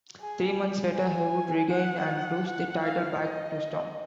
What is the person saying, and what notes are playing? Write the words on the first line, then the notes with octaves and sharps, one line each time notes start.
Three months later, he would regain and lose the title back to Storm.
G#4
G#5
F#5
F#5
F5
D#5